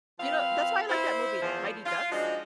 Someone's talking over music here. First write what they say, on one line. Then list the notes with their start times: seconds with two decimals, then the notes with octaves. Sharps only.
You know, that's why I like that movie, Mighty Ducks.
0.19 F3 C4 F4 B4 F5
0.89 E4 C5
1.41 E2 F3
1.86 F4
2.11 F3 G#3 D4 D#4 F#4 D#5